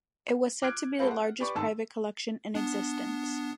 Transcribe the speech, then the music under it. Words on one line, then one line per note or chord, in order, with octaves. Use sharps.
It was said to be the largest private collection in existence.
D6 F6 F#6 G#6 D7
G#3 C4 C#4 A4 B4 F5
F#5
G4 B4 D5 B5 C#6
G#2 D#3 A4 A5 E6
B3 D4